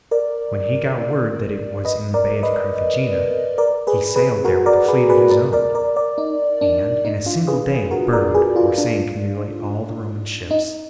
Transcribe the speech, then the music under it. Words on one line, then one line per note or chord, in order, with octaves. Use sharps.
When he got word that it was in the Bay of Carthagena, he sailed there with a fleet of his own and in a single day burned or sank nearly all the Roman ships.
A#4 D5
B4 D#5
A#4 D5
B4 D#5
A#4 D5
G#4 B4
G#4 B4
F#4 A#4
A#4 D5
G#4 B4
G#4 B4
A#4 D5
A#4 D5
A#4 D5
A#4 D5
D#4
D4
D#4
D4 F4
G#4 B4
F#4 A#4
A#4 D5
G#4 B4
F4 G#4
D4 F4
D#4